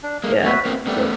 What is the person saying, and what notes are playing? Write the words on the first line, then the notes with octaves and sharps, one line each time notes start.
Yeah, so
D4
G#3 A#3
A3 B3 F#4 B4 E5
A#3 C4
G3 A3 B3